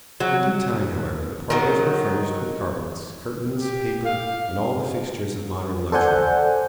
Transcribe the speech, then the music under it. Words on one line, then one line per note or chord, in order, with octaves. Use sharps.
In due time, however, the parlors were furnished with carpets, curtains, paper, and all the fixtures of modern luxury.
F#3
D#3 F#3
G4
F5
A4 C5 D5 F#5 G#5 G6